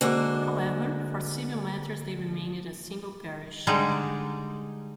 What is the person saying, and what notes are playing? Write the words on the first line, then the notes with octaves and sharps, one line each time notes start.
However, for civil matters they remained a single parish.
D3 G#3 A#3 F#4 C5
D3 G3 G#3 D#4